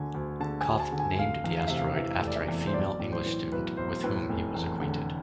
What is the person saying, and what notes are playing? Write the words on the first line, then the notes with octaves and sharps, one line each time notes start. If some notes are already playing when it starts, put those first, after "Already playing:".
Kopff named the asteroid after a female English student with whom he was acquainted.
Already playing: D2 D3 G#5
D2
D3 A5
G#5
D2
A5
D3
G#5
F1 F5
E2
F5
C3 E5
F5
E3 E5
F1
D5
E5
E2
C5
B1 D5
A2
C5
E3
B1 B4
B1 C5
A2 B4
F1
E2
D3